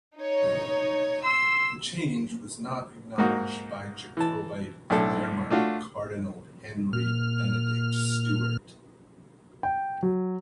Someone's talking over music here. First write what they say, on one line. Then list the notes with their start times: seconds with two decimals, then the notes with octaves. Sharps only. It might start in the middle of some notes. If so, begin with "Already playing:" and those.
The change was not acknowledged by Jacobite claimant Cardinal Henry Benedict Stuart.
0.18 D#4 C#5
1.24 C6 E6
3.18 G#2 A#3 D#4 F#4
4.17 E3 A5
4.90 B1 A2 D4 E4 A4
5.51 A3 D4 F4 F#4
6.93 A#2 F6
9.63 G5
10.03 F#3